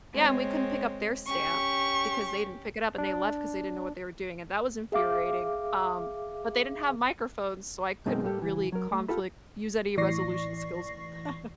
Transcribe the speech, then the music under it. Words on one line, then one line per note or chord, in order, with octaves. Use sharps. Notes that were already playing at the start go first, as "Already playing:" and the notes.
yeah, and we couldn't pick up their stamp, because they didn't pick it up, and they left 'cause they didn't know what they were doing, and that was infuriating, um, but they didn't have microphones, so I couldn't really conflict use any resolution skills with the
G#3 C4 C#5
C#4 G4 C#6
D4
G#4 E5 F5 D6
C#2 F#2 B2 D#3 G#3 C4
A2 G3 A#3 G4 A4
C#3 E3
F#3 A#4
A3
F4 G4 A4 B5
A2 E3 D5 C#6 A#6 C7